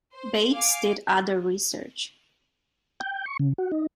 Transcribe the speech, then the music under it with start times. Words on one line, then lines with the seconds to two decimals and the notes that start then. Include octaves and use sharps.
Bates did other research.
0.13 C5
0.52 F5 G#5 D6
3.00 G5
3.26 C#6
3.39 C#3
3.58 F#4
3.72 D#4